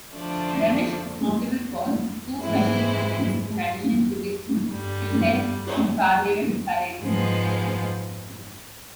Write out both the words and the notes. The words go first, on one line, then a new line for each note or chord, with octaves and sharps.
Remich is notable for two special events in addition to its Fuesend Karneval parades.
D3 F3 A3 D4
G#2 E3 G#3 C4 E4
G2 D3 G3
G#2 F3 G#3 B3